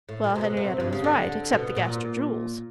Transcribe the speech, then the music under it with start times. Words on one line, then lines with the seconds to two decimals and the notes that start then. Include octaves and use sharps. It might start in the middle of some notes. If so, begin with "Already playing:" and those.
Well, Henriette was right--except the Gaster jewels.
0.09 A2
0.24 A#2
0.36 C3
0.41 B2
0.57 C3
0.80 G2
0.93 C#3
1.04 D3
1.53 B2
1.76 A#2